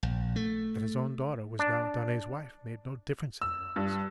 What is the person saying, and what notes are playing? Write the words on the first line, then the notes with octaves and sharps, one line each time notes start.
That his own daughter was now Darnay's wife made no difference in their eyes.
A#1
A3
D4
E6
G2